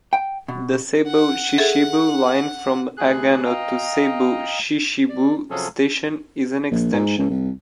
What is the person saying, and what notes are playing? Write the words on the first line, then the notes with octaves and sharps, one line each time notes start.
The Seibu Chichibu Line from Agano to Seibu Chichibu Station is an extension.
G5
B2
F#5
G#4 A4 E5
D2 G#4 F#6
D#5 F5 G5 A#5 D#6
D5
C3 F3 F#3 C#4 G#4 A4
A#1
G#2
C#2
C2